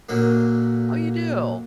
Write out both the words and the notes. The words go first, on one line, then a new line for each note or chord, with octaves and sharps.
Oh, you do?
A#2 D3 F#3 A#3